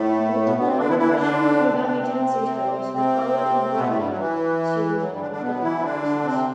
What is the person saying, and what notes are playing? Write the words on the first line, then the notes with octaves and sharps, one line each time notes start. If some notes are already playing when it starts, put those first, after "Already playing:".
Multiple other "Shin Megami Tensei" titles have followed and brought the series acclaim overseas.
Already playing: A2 A3
B2 B3
B2 B3
C3 C4
D3 D4
E3 E4
E3 E4
D3 D4
D3 D4
C3 C4
D3 D4
C3 C4
C3 C4
B2 B3
A2 A3
G2 G3
F#3
E3
F#3
G2 G3
D3 D4
D3 D4
B2 B3
E3 E4
D3 D4
C3 C4